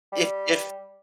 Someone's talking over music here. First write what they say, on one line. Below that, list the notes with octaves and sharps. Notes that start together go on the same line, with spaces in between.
if if
G3